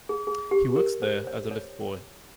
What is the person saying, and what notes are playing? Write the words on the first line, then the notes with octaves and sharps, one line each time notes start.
He works there as a lift-boy.
G#4
G#4
G4
A#4
C5
C#5
C#5